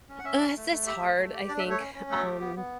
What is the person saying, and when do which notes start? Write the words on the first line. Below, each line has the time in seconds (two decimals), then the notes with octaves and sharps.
Uh, it's just hard, I think. Um
0.09 C#4
0.19 F#5
0.24 C#4 E5
0.40 C#4
0.56 A3
0.71 A3
0.86 G4 E5
1.02 A3
1.17 A3
1.33 G4
1.49 D4 D5
1.59 E5
1.64 A3
1.70 C#5
1.80 C#4
1.94 C#4
2.10 A3 A4
2.25 G4
2.41 B3
2.56 B3